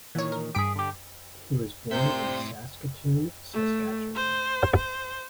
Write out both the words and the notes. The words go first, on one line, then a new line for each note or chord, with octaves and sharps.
He was born in Saskatoon, Saskatchewan.
A#2 D#3 E3 C#5
A#4
G2 G4 G#4 B6 D7
D3 G4
A2 C3 G3 C4 C5 E5 G6
A3
C5
C5